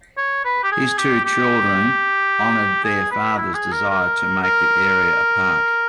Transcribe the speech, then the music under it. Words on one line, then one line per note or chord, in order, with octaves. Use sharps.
His two children honored their father's desire to make the area a park.
C#5
B4
G4
G#4
G4
G4
G#4
B4
E4
G#4
A#4
A#4
A#4